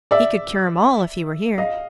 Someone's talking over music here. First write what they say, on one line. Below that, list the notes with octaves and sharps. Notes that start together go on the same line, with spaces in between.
"He could cure 'em all if he were here."
D5 E5
D#5 F5